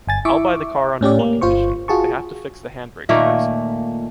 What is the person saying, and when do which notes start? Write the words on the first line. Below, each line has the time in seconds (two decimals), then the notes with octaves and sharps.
I’ll buy the car under one condition, they have to fix the handbrakes first.
0.07 G1 G#5 A6
0.25 E4 E5 C#6 D6
1.01 A2 C#4 G4 D5
1.19 A#3
1.41 G1 F4 C5 C#6
1.88 F4 F#4 G#4 A5 C#6
3.09 A#2 D#3 A3 A#3